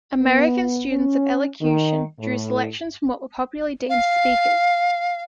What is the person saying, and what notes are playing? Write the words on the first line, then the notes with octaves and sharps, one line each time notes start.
American students of elocution drew selections from what were popularly deemed Speakers.
B3
C#4
D#3
A2
F5